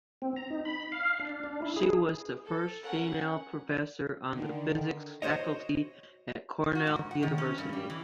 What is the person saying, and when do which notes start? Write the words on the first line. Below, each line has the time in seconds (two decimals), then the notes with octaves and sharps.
She was the first female professor on the physics faculty at Cornell University.
0.22 C4
0.36 A#5
0.50 D#4
0.65 B5
0.92 F5
1.19 D4
1.44 D4
1.62 E4
1.76 G#4
2.45 A4
2.81 C#4 A#4 F#5
4.33 D3 D#3
5.22 F#4 C5 C#5 D#5
6.75 F#4
6.87 G#2
7.11 F#5
7.23 D#3
7.38 C#4
7.58 G2
7.73 G3
7.90 E3